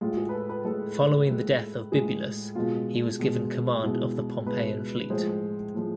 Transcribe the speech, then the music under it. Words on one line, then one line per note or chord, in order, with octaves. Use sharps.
Following the death of Bibulus he was given command of the Pompeian fleet.
A2 G#3 F4
G#4
B4
A4
B4
A2 G#3 A4
A2 G#3
A2 G#3 G#4
B2 G#3 F4
B2 G#3
B2 G#3 E4
B2 G#3 B4
A2 F3 G#3 C5
A2 F3 G#3